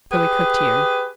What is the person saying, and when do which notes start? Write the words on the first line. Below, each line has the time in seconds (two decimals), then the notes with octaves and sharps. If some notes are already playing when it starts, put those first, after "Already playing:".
So we cooked here.
0.11 G4 G#4 B4